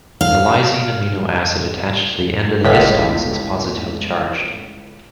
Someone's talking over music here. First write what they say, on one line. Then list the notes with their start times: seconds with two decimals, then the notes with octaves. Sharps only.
The lysine amino acid attached to the end of the histones is positively charged.
0.21 F5
2.64 G1 C#2 A2 B6